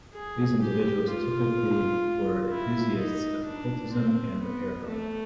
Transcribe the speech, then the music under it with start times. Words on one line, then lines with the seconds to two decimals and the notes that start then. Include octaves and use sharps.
These individuals typically were enthusiasts of occultism and the paranormal.
0.14 G#4
0.61 G4
1.09 F4
2.50 E4
2.98 D#4
3.45 D4
3.92 C4
4.40 B3
4.87 A3